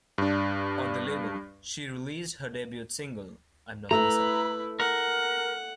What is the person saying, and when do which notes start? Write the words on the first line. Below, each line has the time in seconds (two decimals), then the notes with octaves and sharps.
On the label, she released her debut single, I'm Not Lisa.
0.18 G2 D4
3.91 A3 E4 B4 A#5
4.80 A#4 F#5